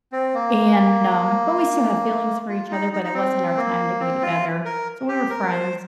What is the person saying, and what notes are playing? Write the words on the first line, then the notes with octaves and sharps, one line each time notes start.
And, um, but we still have feelings for each other, but it wasn't our time to be together, so we were friends.
C4
A#3
F4
D#4
D#4
D#4
C4
A#3
C4
F4
A#4
G4
A#4
C5